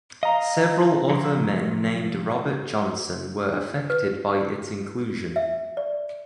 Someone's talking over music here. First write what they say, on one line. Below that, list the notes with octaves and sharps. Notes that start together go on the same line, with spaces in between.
Several other men named Robert Johnson were affected by its inclusion.
D#5 F5 A#5
C3 F3 F#3
D4
B4
E5
D5